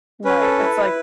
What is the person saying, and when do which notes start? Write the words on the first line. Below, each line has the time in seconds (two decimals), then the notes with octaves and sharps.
Right, it's like
0.25 C#4 B4
0.41 A4
0.58 E4
0.76 E4